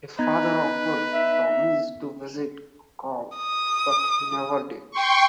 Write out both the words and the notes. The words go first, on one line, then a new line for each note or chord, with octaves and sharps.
His father often promised to visit or call, but he never did.
B3 D#4 B4 G#6
E5
D#6
G5 C6 C#6